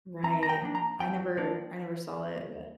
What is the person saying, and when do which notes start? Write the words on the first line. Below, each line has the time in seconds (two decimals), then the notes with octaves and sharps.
Right, I never I never saw it, but
0.23 F2 A#5
0.43 A#5
0.49 G5
0.62 F3 A#3 D4
0.75 A#5
0.99 F2 G5
1.37 F3 A#3 D4